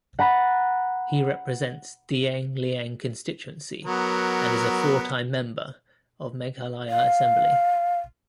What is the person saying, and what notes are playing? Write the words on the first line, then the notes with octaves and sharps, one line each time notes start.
He represents Dienglieng constituency and is a four-time member of Meghalaya Assembly.
F#5 A#5 B5 A6
F#3 B3 A#4
F5